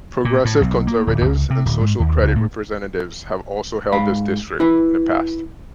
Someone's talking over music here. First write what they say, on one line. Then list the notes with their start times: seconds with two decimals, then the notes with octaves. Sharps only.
Progressive Conservatives and Social Credit representatives have also held this district in the past.
0.25 A#2
0.45 A2
0.61 B1
0.87 A#3
1.07 D1
1.25 C#2
1.50 C3
1.65 D1
1.81 G#2
2.00 D#2
2.23 C#2
2.36 A2
3.92 G#2 F5 B5
4.60 E4 B4